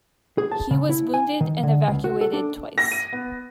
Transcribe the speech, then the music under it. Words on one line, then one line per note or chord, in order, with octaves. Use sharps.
He was wounded and evacuated twice.
G#4
A5
C#3
E4
G#5
D#3
D3
C#2
F#4
A4
D4
A#6
D#7
B3